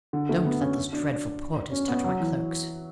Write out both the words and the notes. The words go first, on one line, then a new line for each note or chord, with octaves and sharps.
Don't let those dreadful porters touch my cloaks.
D3
A3
B3
C#4
D4
C#4
B3
F#3
E3